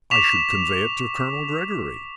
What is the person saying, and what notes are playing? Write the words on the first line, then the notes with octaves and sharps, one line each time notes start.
"I should convey it to Colonel Gregory."
C#6 D6 B6 E7 F7